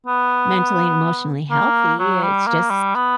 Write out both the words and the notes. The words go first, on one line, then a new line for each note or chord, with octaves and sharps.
mentally and emotionally healthy, it's just
B3
A#3
F#3
G3
A#3
G3
B3